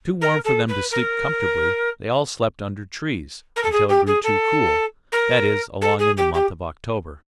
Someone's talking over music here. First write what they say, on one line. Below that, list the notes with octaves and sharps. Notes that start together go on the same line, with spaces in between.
When it was too warm for them to sleep comfortably, they all slept under trees until it grew too cool, that is along in the month of October.
A#4
A4
B4
A#4
A#4
A4
G#4
G4
G#4
A4
A#4
A4
G#4
G4
G4